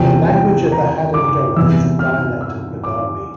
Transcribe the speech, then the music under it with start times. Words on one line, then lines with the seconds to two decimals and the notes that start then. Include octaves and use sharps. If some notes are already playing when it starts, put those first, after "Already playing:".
The language of the Hadendoa is a dialect of Bedawi.
Already playing: E2 C3 F3 C4 G5
0.30 G5
0.72 A#5
1.14 D6
1.56 E2 C3 E3 E6
1.99 F6
2.41 E6
2.84 D6